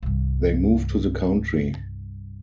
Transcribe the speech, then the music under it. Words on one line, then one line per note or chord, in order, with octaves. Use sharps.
They move to the country.
C2 G2